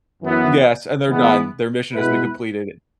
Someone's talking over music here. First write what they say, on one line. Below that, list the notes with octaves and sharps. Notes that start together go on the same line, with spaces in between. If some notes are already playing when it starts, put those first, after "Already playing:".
yes, and they're done, their mission has been completed.
F#2 E3 B3 E4
E3 G#3 B3
B2 G#3 B3 E4 B4